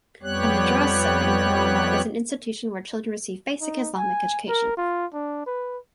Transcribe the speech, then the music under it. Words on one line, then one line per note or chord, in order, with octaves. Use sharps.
A madrasa in Kerala is an institution where children receive basic Islamic education.
F2 G3 B3 G4 C#5 F#6
D#4
G#5
A#4
F4
D4
B4